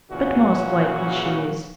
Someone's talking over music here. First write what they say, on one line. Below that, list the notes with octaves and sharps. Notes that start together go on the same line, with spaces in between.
But most likely she is.
A#2 C#3 E3 F#4